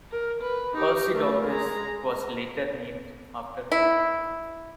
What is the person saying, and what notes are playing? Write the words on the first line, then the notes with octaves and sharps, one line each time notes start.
"Ursidongus" was later named after him.
A#4
B4
D#4 G4
A3 A#4
G#3 A#5
E4